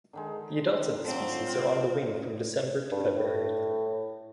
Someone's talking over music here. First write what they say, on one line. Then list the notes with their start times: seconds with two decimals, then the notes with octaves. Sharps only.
The adults of the species are on the wing from December to February.
0.13 D3 D#3 G#3
1.05 F3 F#3 C4
1.47 F4 G5
2.91 G2
3.16 A2